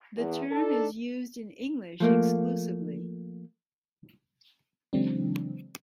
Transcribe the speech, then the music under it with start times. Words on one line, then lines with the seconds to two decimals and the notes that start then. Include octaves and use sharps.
The term is used in English exclusively.
0.17 E2
0.51 D4 D#4 A4
2.00 F3 A3 A#3
4.93 C#3 E3 F#3 G#3 C4 D4